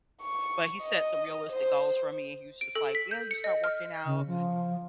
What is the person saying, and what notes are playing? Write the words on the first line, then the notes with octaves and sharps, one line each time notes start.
But he set some realistic goals for me and he was just like, "Yeah, you start working out.
C#6
D#5
C5
D7
A4
B6
G6
C#7
D#5
F6
C#3
F3